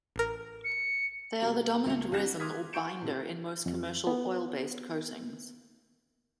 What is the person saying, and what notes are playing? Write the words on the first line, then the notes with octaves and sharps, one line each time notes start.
They are the dominant resin or "binder" in most commercial "oil-based" coatings.
A1 A#4
C#7
B2 G3 A#3
C#2 A3 E5 F7
C2 D4 F#6 A#6 E7 F7
C6 D6 D#6 F6 G#6 B6
F#5 C6 C#6 G6 D7 E7
A2 C3 F#4
F2
B3